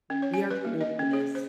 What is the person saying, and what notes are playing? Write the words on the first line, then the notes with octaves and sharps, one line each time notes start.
We are too old for this
C#4
C#5
G#5
B4
A#3
D#5
C#4
G#4
C5